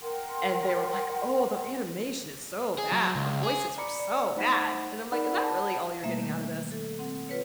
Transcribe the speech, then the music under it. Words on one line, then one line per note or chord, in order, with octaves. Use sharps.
and they were, like, "Oh, the animation is so bad, the voices are so bad." And I'm, like, "Is that really all you're getting out of this?"
A#4 F#5 G5 C6
G#4
F#3
C#2
G#4
D5 A#5 B5 D6 C#7
D5
A3 D#4 C5 F#5 B5 B6
D#4 G#4 A#4 D5 F#5 B5
F#5 A5 B5
B2 G3 A3 A#3 E5
D#3
A4
C4 F#5
F4 B4 C#5